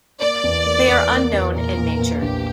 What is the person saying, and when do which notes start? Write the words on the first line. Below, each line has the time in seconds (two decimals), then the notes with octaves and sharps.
They are unknown in nature.
0.21 A#3 D5
0.44 E2
0.66 A#3
0.88 E2
1.10 A#3
1.33 E2
1.55 A#2 A#4
1.77 A#2
1.99 A#2
2.22 A#1 G4